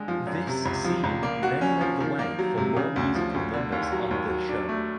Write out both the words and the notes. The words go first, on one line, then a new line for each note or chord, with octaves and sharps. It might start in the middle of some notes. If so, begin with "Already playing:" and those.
This scene then led the way for more musical numbers on the show.
Already playing: D3 G#3
F3
F#2
C3
C#2
F3
C#2
A#3
F#4
C#4
F3
D#3
A#3
F#3
C3
C#3
D2
F3
D2
D3
D#2
F#3
D#2
F#3
D4
A3